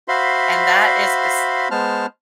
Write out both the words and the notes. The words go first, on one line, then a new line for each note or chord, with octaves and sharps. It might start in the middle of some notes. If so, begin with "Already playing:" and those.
And that is a s
F#4 C5 E5 F5 B5 C6
G#3 B3 C5 A5 F6